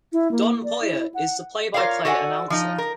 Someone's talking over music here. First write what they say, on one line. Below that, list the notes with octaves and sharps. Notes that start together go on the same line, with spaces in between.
Don Poier is the play-by-play announcer.
E4
A#3
D5
E4
F#5
F4 A#4 C#5 D5 F5
F#4 A4 D5 D#5 F#5 G#5
F3 D#4
A#4